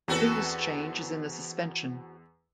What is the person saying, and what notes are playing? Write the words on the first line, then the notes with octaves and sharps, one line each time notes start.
The biggest change is in the suspension.
E2 C4 F#4 A4 B4